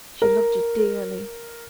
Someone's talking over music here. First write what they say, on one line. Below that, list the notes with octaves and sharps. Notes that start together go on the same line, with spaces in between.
She loved yo' dearly.
A#4